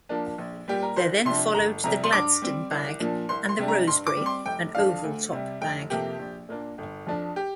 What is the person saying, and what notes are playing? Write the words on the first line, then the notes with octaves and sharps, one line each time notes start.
There then followed the Gladstone bag and the Rosebery, an oval-top bag.
F3 A#3 D4
A#1
A#2 G3 G4
A#4
C2 C5
C3 F3 D4 C6
G1 A#5
F2 C3 G3 A#5
C6
G2 D6
G3 C4
C2
A#2 F3 D4
C2 C6
C6
C3 G3 D4
A#5
G2 C6
D6
G3 C4
C6
F1 G5
F2 F3 D4 F5
D2
C3 G3
F1 G5
F2 C3 A#3 G4
A#1
A#2 A#3 D4
G1
F2 F3 D4
G4